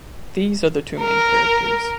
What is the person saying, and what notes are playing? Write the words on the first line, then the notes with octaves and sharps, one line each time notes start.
These are the two main characters.
A#4